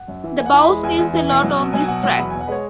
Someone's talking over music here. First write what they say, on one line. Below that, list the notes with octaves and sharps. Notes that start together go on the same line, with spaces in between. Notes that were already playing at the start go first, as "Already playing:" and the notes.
The bowl spins a lot on these tracks.
Already playing: F#5
F#2
E3
E2 G#5
F#5
E3 G#5
B5
G#3
E2 G#5
E2
E3
B2
F#3
B2
F#3 G#5
G#5
B2 F#5
F#3 F#5
E2 B5
B2 G#5
F#5
G#3 B4 C#5